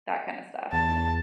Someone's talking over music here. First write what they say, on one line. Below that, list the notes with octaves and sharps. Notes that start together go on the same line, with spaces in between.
that kinda stuff, like
E2 A5